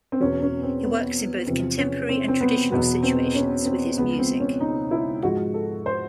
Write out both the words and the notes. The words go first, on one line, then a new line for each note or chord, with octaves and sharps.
He works in both contemporary and traditional situations with his music.
C4
E2 B2 F#3 C#4
C#4
C4
B3
E2 C3 F3 C4
C#4
C4
C4
B3
E2 B2 F#3 B3
C4
C#4
C4
C#2 C#3 F3 B3
C4
C#4
D#4
E4
G#2 F3 G#3 F#4
A4
C5